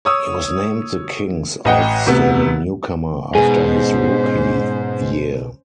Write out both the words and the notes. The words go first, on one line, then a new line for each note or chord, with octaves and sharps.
He was named the Kings outstanding newcomer after his rookie year.
C#5 D#6 E6
A1 D#5 F#5 G5
D2 C3 B3
G#2 B2 C#4 G#4 C5 G#5